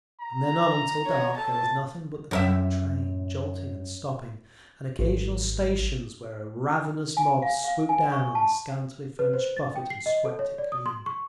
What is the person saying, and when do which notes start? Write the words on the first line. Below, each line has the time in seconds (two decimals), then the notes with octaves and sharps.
From then on until dark there was nothing but the packed train, jolting and stopping, and occasional stations where a ravenous mob swooped down on the scantily-furnished buffet and swept it clean....
0.21 A#5
1.06 C#5
1.37 A4 A5
2.31 F#2 A#4 E5
4.99 G#1
7.17 G#5
7.42 F5
7.64 F5
7.89 G#5
8.12 C#6
8.35 A5
9.19 B4
9.34 C5
9.57 A6
9.76 G5
9.90 C7
10.06 D#5
10.25 A4
10.39 C#5
10.58 D5
10.72 D#6
10.86 C6
11.06 C#6